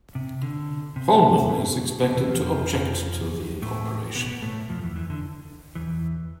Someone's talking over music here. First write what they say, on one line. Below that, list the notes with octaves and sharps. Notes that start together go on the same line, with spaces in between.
Holmen is expected to object to the incorporation.
C3
D3
C3
B2
C3
E2 E3
F2 F3
F2 F3
A2 A3
B2 B3
A2 A3
F2 F3
E2 E3
E2 E3
D3
E2 E3